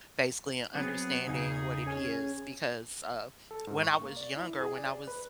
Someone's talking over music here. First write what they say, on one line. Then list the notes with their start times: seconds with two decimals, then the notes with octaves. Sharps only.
basically understanding what it is because, uh, when I was younger, when I was
0.74 F#3 B3 C4 F#4 G#4
1.26 E2 C#3 D#4 G#4
1.86 C#4 G#4 C#5 G#5
3.51 A4
3.67 G#2
3.83 C#6
4.02 A#3
4.17 D5
4.36 E4
4.61 G#4
4.78 D5
5.07 B4